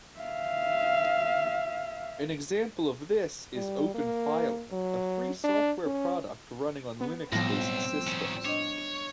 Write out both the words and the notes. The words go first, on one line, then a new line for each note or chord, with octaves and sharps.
An example of this is Openfiler, a free software product running on Linux-based systems.
E5 F5
G3
A#3
F#3
D4
C#4
B3
B1 A2 F3 G3 B3 C4 E6 A#6
D#3 C#4
D4 C#5 D#5